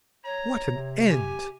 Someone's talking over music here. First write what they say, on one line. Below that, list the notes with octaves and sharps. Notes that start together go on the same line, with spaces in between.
What an end!
C#5 A#5
C3
G4 G#5